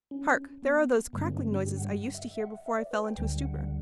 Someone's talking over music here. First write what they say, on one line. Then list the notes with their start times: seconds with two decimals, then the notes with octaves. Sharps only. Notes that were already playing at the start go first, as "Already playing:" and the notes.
Hark! there are those crackling noises I used to hear before I fell into a stupor.
0.11 C#4
0.63 B3
1.13 G2 D3 G3 A#3
1.21 C#4
1.26 B3
1.38 B3
1.52 C#4
1.64 G4
1.77 F#5
1.89 F#5
2.02 F#5
2.15 E5
2.31 E5
2.40 F#5
2.66 E5
2.78 D5
2.91 B4
3.04 G5
3.17 D2 D3 G3 G5
3.42 F#5
3.55 F#5